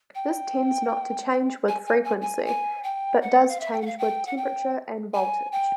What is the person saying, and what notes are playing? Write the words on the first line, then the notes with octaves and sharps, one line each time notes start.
This tends not to change with frequency, but does change with temperature and voltage.
G5
G#5
G#5
G#5
G#5
G#5
G5
F#5
F5
E5
G5
F#5
F5
G5
F#5
G5
G#5
G5